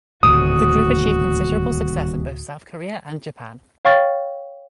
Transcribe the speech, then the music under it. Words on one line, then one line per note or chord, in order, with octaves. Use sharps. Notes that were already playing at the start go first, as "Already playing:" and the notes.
The group achieved considerable success in both South Korea and Japan.
D#1 D2 A2 C3 F#4 D#6
C#5 F5 G5 C#6 F6 A6